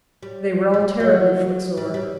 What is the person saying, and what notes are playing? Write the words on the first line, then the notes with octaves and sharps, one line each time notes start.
They were all terribly footsore.
G3
G3
F#3
G3
G3